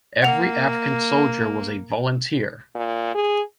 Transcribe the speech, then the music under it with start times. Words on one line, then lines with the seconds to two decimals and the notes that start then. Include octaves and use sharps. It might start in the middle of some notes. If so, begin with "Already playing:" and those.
Every African Soldier was a volunteer.
0.22 A#3 F#5 F7
2.75 A#2
3.15 G#4